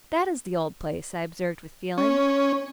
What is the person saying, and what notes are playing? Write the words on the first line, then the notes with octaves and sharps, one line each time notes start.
'That is the old place,' I observed with feeling.
C#4